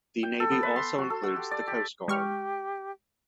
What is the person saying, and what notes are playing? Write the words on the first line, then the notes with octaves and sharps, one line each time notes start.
The navy also includes the Coast Guard.
G5
A4
B3
B4
C6
F#4
A4
F#5
G4
D5
G4
G#3 G4 C#6 F6